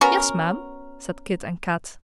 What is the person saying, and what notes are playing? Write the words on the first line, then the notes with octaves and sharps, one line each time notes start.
"Yes, Ma'am," said Kit and Kat.
B3 C#4 F#4 A#4